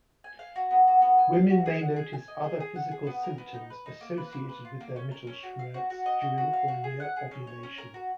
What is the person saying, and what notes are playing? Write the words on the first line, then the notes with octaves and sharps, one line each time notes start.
Women may notice other physical symptoms associated with their mittelschmerz, during or near ovulation.
G#5
F5
F#4
B3
F#4
B3
G#5
F5
F#4
G#4
F#5
G#4
G#5
D#5
G#4
G#4
F#5
G#4
B3
A#4
B3
D#4
B4
D#4
A#3
B4
A#3
B4
F4
A#3
C#4
A#4
C#4
F#4
F5
F#4
F#4
D#5
F#4
F#4
F5
F#4
G#4
F#5
G#4
C#4
C#5
C#4
A#4
F#4